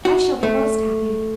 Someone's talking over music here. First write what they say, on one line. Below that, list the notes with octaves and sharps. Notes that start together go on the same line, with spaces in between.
"I shall be most happy."
F#4
A3